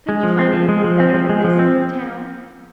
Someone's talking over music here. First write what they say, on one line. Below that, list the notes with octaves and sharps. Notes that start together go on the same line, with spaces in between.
Couldn't you find anything better than this in the town?
G#3
F3
C4
F3
G#3
F3
C4
F3
G#3
F3
C4